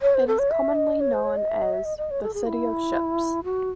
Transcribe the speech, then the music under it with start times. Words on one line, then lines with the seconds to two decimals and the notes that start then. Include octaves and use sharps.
It is commonly known as The City of Ships.
0.02 C#5
0.15 C5
0.28 A4
0.39 C#5
0.51 E5
0.75 D#5
1.00 C#5
1.13 C5
1.24 C#5
1.37 D#5
1.50 E5
1.62 D#5
1.73 E5
1.85 D#5
1.98 D#5
2.11 C#5
2.23 A4
2.34 G#4
2.47 E4
3.44 F#4